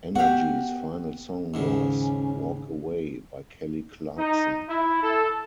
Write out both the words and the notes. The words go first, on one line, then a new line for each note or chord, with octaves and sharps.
Energy's final song was "Walk Away" by Kelly Clarkson.
B3 F#4 G4 F5 F#5
D#2 G#2 C#3 C#4
D#4
E4
A4